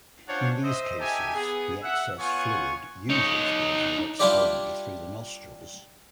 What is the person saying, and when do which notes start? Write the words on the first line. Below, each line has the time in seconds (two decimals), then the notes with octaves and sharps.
In these cases, the excess fluid usually spills out externally through the nostrils.
0.28 C#4 D4 F4 C5 C#5 F#5
0.63 C5 D#5 E5
0.99 D#4 G4 A4 E5 G#5
1.35 B3 G#4
1.82 E5 F#5
2.19 B3 F4 C#5 F#5 G#5 C#6
3.10 D#4 C#5
4.20 G3 D4 E4 F4 G4 D5